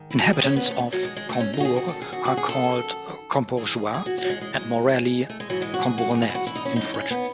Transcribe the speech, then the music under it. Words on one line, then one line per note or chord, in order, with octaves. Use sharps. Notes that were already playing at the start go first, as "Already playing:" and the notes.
Inhabitants of Combourg are called "Combourgeois" and, more rarely "Combournais", in French.
Already playing: G#2 D#3
E4
F#4
G#4
C#4
B3
A3
F#3
G#3
G#3
A3
C#4
D#4
F#4
F#2 D#3 G#4
F#4
A4
G#4
F#4
F#4
G#4
A4
G#2 E3 G#4
G#4
F#4
F#4
F#3
G#3
G#3
G#3
A3
G#3
G#2 E3 F#3
G#3
F#4
G#4
F#4
G#4
G#4
E4
F#4
E4
D#4
C#4
D#4
C#4
B3